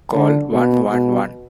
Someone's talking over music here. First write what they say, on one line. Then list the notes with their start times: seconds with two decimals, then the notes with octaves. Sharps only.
Call one one one.
0.16 D3
0.53 B2
0.92 B2